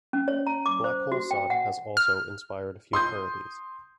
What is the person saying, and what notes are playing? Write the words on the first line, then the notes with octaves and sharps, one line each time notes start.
"Black Hole Sun" has also inspired a few parodies.
C#4
C#5
A#5
D6
C5
F#4
G5
F#5
F6
C6 D#6 G6